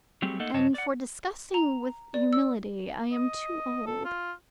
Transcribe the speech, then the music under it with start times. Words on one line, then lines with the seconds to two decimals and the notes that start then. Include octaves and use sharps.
And for discussing with humility I am too old.
0.22 F#3 G3 A3 C4 G4 G#4
0.40 A3 A#3 D#4 A4 D#5 F#5
0.54 G2 C#3 F#3 C#5 D#5 A5
0.74 D5 F#5
1.54 A#5
2.14 D5
2.33 E6
3.12 D#5
3.86 A4
4.05 F4